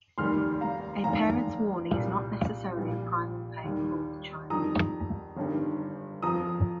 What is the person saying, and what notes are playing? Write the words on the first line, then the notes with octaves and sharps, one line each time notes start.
A parent's warning is not necessarily a Primal Pain for the child.
F1 D#2 D#3 G3 C6 F6
F5 A#5
F1 D#2 D#3 F5 A#5
C2 A#2 G3
A#1 A#2 G3
D#2 D#3 G3
F2 D#3 G3 A#5 D#6
G1 G2 D#3 G3
F2 F3 A#5 D#6